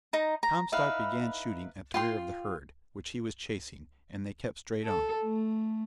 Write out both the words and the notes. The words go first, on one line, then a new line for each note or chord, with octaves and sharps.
Comstock began shooting at the rear of the herd, which he was chasing, and they kept straight on.
D#4 A#5
A#5
D#4 E4 B4 F5
F4 G5 C6
A4
A3